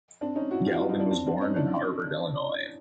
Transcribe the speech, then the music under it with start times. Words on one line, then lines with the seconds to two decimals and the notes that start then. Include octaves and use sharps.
Galvin was born in Harvard, Illinois.
0.21 C4 D4
0.35 C#4 D#4
0.51 E4 F#4
0.66 F4 G4
0.77 E4 F#4
0.89 D#4 F4
1.00 D4 E4
1.11 C4 D4
1.27 C4 D4
1.41 C#4 D#4
1.56 D4 E4